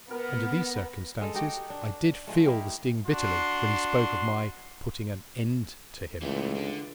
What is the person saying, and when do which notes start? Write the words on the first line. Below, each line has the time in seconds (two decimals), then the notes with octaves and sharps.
Under these circumstances I did feel the sting bitterly when he spoke of my putting "an end" to him.
0.11 B3 A#4
1.21 G#3 A4
1.34 D#4 F#4 G4 G5
1.70 D4
2.27 F3 G#3 A3
2.45 D#4 E4 G4 F5
3.06 D4 F#4 C6
6.22 C#2 E3 A3
6.56 D3